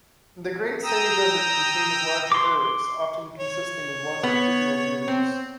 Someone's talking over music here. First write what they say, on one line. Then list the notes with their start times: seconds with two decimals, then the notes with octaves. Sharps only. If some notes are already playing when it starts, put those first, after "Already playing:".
The Great Sandy Desert contains large ergs, often consisting of longitudinal dunes.
0.83 G5 A#5 D#6 E6
2.32 C6 D6
3.39 C#5
4.23 B3
5.08 C4